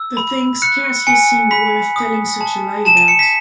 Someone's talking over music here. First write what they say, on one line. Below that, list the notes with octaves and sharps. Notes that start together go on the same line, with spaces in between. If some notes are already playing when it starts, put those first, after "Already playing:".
The thing scarcely seemed worth telling such a lie about.
Already playing: E6
B5
F#6 C#7
G#5 C#7
B5 B6
D#6
A5
A5 E7
D#7
C#7
B6